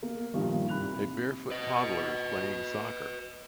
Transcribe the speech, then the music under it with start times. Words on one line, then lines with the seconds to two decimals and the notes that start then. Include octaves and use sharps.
A barefoot toddler is playing soccer.
0.03 A#3
0.34 G2 A#2 D#3 F3 G3
0.68 C2 B5 F#6 F7
1.51 B4 D#5